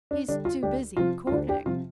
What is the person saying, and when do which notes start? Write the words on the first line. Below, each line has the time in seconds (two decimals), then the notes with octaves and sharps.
"He's too busy, courting."
0.11 D4
0.28 D3 G3 D4
0.45 F4
0.63 D2 D4 G4
0.97 C3 F3 F4
1.27 F4
1.32 D2 D4
1.49 D4 G4
1.66 C3 F3 F4